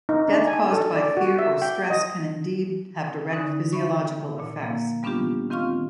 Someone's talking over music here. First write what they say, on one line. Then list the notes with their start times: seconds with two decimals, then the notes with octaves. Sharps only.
Death caused by fear or stress can indeed have direct physiological effects.
0.09 D#4
0.28 D4
0.47 G#5
0.73 A4
0.94 D5
1.17 F#4
1.39 E5
1.62 G5
1.90 D#5
3.33 D3 C#4 D#4
3.73 E5 B5 C#6
4.40 A#2
4.60 F3 A#3
5.03 G3 B3 C#4 D4 F4 G4
5.50 D#3 C4 F4 F5 C#6 F6